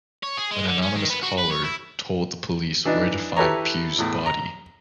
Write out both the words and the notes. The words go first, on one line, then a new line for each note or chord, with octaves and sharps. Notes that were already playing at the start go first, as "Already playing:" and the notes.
An anonymous caller told the police where to find Pue's body.
C#5
G#4
G#3
D3
C#4
D#3
B3
F#4
B4
C#5
E4
E3 D4 D#4
E4 G4 A4 B4 C#5 A#5
E2 A2
A#5